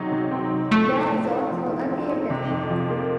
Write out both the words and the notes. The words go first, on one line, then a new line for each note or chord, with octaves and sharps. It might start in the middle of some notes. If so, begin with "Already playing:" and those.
There is also a theater.
Already playing: C3 F#3 C4 D#4
C3
C4
D#4
F3 A3
A2
C4
D#4
F3
A2
C4
D#4
C3
F2
F3
A#3